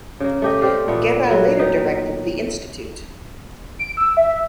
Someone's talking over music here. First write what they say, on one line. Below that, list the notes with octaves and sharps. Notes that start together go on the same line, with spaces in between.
Guerra later directed the Institute.
C#3 A#3
A3 G4 D#5
C4 G4 D5 F5
A#2 A3 B3
F#3
D#3 D#4
D7
E6
E5